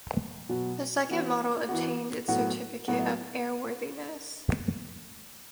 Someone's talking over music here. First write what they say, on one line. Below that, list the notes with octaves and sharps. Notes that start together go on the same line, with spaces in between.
This second model obtained its certificate of airworthiness.
B2 F#3 B3 F#4
E3 B3 F#4
E3 B3 F#4
A2 F#3 B3 F#4
A2 F#3 B3 F#4